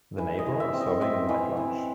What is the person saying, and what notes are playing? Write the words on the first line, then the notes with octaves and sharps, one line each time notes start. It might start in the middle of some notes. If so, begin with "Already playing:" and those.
The neighbor are serving a light lunch.
E3
D#5
E3
E5
C4
D#5
C4 E5
E3
E3